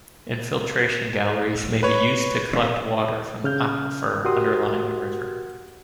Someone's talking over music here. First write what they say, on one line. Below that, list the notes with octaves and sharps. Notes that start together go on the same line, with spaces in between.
Infiltration galleries may be used to collect water from the aquifer underlying a river.
B4 C#5
C#3 F6 G6
F#4 G4 A#4 F#5 C6 D#6